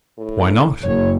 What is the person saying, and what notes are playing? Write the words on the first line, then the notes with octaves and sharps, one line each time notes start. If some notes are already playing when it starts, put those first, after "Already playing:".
"Why not?"
A2
F#1 C#5